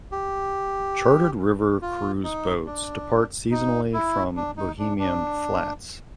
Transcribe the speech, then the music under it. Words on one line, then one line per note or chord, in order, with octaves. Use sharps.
Chartered river cruise boats depart seasonally from Bohemian Flats.
G4
F4
D#4
D4
D#4
E4
D4
D#4
D4
D4